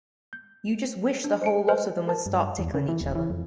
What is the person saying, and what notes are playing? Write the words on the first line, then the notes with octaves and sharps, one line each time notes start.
You just wish the whole lot of them would start tickling each other.
G6
D4
C5 C#7 D7
B4 C5 F6
A#4 A5
G2
E2
C#3
E3
D#1
E3
F2